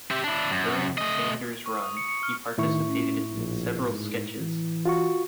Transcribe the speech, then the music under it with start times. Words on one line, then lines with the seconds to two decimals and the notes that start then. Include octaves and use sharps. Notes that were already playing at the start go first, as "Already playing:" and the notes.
During Sanders' run, he participated in several sketches.
0.11 G4 E5
0.24 D4 E4
0.51 F#2
0.98 A3 D#5
1.66 C#6
1.82 D#6
1.97 C#7
2.09 C#7
2.23 F6
2.58 A2 D#3 E4 C#6
2.89 C#4
3.35 A#1
3.87 G#2
4.40 E3
4.85 F4 F#4 C#6